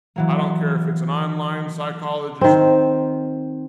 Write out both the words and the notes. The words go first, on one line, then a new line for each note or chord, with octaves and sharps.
I don't care if it's an online psychologist,
E3 F#3 A#3
D#3 C4